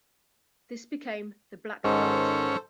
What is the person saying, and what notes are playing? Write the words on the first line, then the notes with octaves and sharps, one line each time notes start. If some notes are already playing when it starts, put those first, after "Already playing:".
This became the Black Brant.
G#2 D#3 C#4 A4 C5